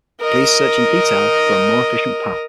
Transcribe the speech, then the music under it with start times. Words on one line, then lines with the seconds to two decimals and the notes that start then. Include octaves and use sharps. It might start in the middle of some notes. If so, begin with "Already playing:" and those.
Please search in detail for a more efficient path.
0.20 A#4 D#5